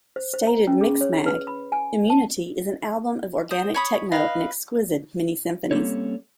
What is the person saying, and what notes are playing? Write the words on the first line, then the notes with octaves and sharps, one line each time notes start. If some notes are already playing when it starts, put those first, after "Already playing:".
Stated "MixMag", "Immunity" is an album of organic techno and exquisite mini-symphonies.
C5
C5
A#5
C#4
G#4
C#5
B4
B5
G#5
A5
C5 D#6
C#5 B5 D#6
B4 D#5 F5
G3 A#3 C4 C#4 A4 C#5